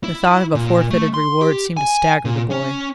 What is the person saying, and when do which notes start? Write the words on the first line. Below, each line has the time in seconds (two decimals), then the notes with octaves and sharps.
The thought of a forfeited reward seemed to stagger the boy.
0.04 E4
0.55 A#2
0.90 A3
1.14 C6
1.41 G4
1.77 G#5
2.25 A#2
2.51 C#4